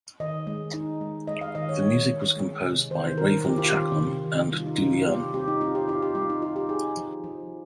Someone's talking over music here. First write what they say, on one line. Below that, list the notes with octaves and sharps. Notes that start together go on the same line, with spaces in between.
The music was composed by Raven Chacon and Du Yun.
D#3 D#5
G#3
D#4
G#3
G#3 D#5
F5
D#3 D#5
C#5
G#3
G#3
G#3
C3
D#3 C5
D#3 A#4
C4 G4
F4
D#3 G4
C3
D#3
G3 F4
D#4
C3 F4
F4
G3 G4
C4 G4
D#4
C4 F4
G4
D#4 F4
G4
G3 F4
D#4
D#4 F4
G4
D#4 G#4
F3
F3